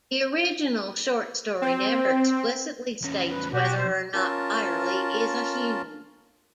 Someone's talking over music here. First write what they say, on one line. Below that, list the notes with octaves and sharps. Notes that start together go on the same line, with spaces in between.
The original short story never explicitly states whether or not Byerley is a human.
C4
E2 C#4
B4
B1 F#4 G4
C5
C#4 F4 A#4 A5